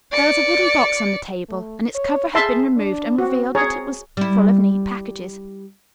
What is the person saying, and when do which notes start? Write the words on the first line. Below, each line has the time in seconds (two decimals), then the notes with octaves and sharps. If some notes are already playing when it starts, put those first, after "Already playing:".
There was a wooden box on the table and its cover had been removed and revealed that it was full of neat packages.
0.12 D5 C#7
1.48 A3
1.95 C#5
2.35 G#4 E5 A5 C6
2.77 D4
3.19 C4 F#4
3.55 C4 G#4 C#5 A#5
4.17 G3 E4